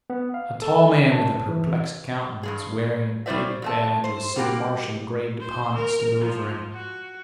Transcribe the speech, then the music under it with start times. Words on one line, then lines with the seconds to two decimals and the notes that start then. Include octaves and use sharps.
A tall man with a perplexed countenance, wearing a big badge with "City Marshal" engraved upon it, stood over him.
0.10 B3
0.34 F5
0.62 A4
1.12 A5
1.48 E3
2.43 G2 C#3 G#4
3.26 G3 C#4 E4 C5 D5 E5
3.62 F2 A3 A5
4.04 C5
4.36 G3 A#3 F#4 G4
5.40 C5
5.75 A#4
6.21 F3
6.72 F#4